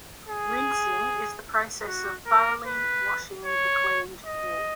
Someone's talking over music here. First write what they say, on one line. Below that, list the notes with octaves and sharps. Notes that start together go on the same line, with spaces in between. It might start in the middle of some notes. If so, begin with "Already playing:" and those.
Rinsing is the process of thoroughly washing the cleaned wool.
G#4
F#4
A#4
B4
C#5
D#5